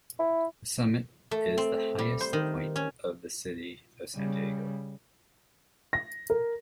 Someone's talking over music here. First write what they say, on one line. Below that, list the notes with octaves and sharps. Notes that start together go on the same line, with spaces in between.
The summit is the highest point of the city of San Diego.
E4
A3
C4
G3
C5
D#3
C#4
C#3 G3
A#6
A#4